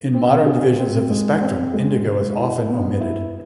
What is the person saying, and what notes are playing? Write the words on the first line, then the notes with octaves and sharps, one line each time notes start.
In modern divisions of the spectrum, indigo is often omitted.
C4
G#4
C4
G#3
C4
G#3
G#3
E4
B3
E4